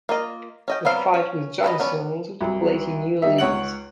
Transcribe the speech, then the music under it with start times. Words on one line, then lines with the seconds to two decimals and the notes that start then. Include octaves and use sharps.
The fight with Johnson also took place in New Orleans.
0.09 A#3 F4 D#5
0.68 C#4 D#5 G5
0.85 F#3 G3 B3 C4 F5
1.14 C#4
1.63 A4 B4 C#5 D#5
1.80 B3 C#4 D5
2.41 C2 F#3
3.22 G3 D#4 E5
3.38 C#2 C#5 F#5 F#7